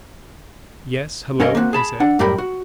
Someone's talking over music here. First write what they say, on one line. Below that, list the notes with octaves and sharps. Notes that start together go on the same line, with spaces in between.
"Yes--hello!" he said.
G2 C#4 A4 A#4 D#5 F5
A#3 C4 D4 F#4
G#4 A5 B5
D4 F#5
F#2 A2 G3 G4 A#4 B5
F#4